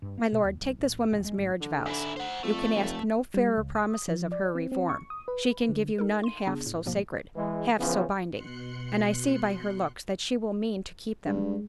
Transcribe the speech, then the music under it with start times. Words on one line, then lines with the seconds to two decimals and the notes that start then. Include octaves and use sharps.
My Lord, take this woman's marriage vows--you can ask no fairer promises of her reform--she can give you none half so sacred, half so binding; and I see by her looks that she will mean to keep them.
0.02 G2
0.18 A#3
0.32 B2
0.44 D#2
0.61 B1
0.79 A1
1.12 D1
1.24 G#3
1.37 G#1
1.60 D3
1.86 G#2 E4
2.17 C5 F#5
2.43 F2 A3
2.75 F1
3.34 G3
3.57 C#2
3.75 D#6
4.08 F3
4.32 D5
4.55 C4
4.72 C4
4.89 C#6
5.10 D#6
5.28 B4
5.69 D3
5.98 D#4 A4 A#4
6.23 C6 D#7
6.47 C#3 B3 D4 G#4
6.66 A2
6.86 A#1 G#2 B2 F3 A#3
7.35 E3 G#3
7.78 C#3 E3 F3 B3 C#4
8.32 B2 C6 F#6 C#7
11.26 G2 G#3